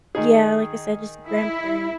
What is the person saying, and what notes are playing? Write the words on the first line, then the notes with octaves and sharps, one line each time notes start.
Yeah, like I said, just grandparents,
D#3 D#4 G#4
E4